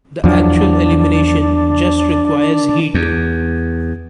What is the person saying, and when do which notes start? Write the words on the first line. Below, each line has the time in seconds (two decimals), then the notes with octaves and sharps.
The actual elimination just requires heat.
0.24 E2 F3 F#3 D4
2.94 E2